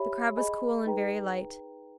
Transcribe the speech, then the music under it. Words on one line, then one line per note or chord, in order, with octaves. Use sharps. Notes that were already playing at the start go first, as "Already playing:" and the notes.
The crab was cool and very light.
Already playing: G4 C#5 E5 G#5 B5
G#4 D#5 G#5 B5
D#4 G#4 B4 G5 A#5